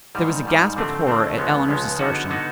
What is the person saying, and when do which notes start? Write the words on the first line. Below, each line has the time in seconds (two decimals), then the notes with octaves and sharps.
There was a gasp of horror at Eleanor's assertion.
0.15 G#2 D#3 G3
0.45 G#2 D#3 G3
0.76 D3 F3 A3 C4
1.07 D3 F3 A3 C4
1.37 C#2 C#3 F3 G#3 B3
1.68 C#2 C#3 F3 G#3 B3
1.99 D3 F#3 B3 D#4 F#4
2.29 D3 F#3 B3 D#4 F#4